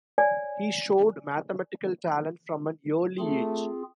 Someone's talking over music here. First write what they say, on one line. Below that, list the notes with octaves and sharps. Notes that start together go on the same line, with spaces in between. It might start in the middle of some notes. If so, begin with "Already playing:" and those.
He showed mathematical talent from an early age.
C#5 D5 G#5
A3 C4 F4 G#4